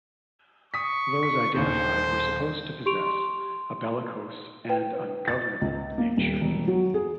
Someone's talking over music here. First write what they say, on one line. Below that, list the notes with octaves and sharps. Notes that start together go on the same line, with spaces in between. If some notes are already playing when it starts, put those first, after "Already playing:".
Those identified were supposed to possess a bellicose and ungovernable nature.
C#6 D#6 B6
B6
D#1 D#2 D#3 C5
G4 C6 C#6 D7 F7
C6
B4 G5
A6
C#2
A#3
D#1
E1
F#3
G#4